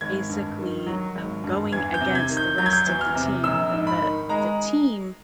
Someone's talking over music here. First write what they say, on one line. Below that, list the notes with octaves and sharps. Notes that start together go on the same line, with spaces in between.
basically, uh, going against the rest of the team, but the the team
G#1 G#6
G2
D#3
F#3
G#1
G2
E2 G#6
G6
C3
G#6
D#3
G6
F#3 G6
G#6
G6
E2
F6
C3
A#1 E6
G#2
B5
D#3
G#3 A#5